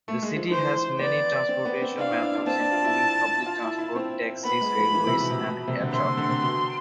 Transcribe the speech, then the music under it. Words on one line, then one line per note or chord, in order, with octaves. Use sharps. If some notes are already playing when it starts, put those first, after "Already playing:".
The city has many transportation methods, including: public transport, taxis, railways, and air traffic.
A3
G#3
F3
E3 C5
B3 D5
C4
B3
C4
D4 F5
E4
D4
D4
C4 A5
D4
F4
E4
F4
E4
E4
C4
B3 B5
G#3
F3
E3
C3
B2
C3
B2
C3
D3
C3 C6
C3
D3
C3
B2